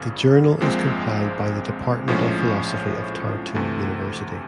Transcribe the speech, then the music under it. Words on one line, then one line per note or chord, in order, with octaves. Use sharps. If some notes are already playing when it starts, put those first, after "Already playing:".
The journal is compiled by the Department of Philosophy of Tartu University.
Already playing: G1 F2 C#3
A#1 A#2 F3 G#3 C4
A#1 A2 F3 G#3 C#4
D2 C3 E3 A3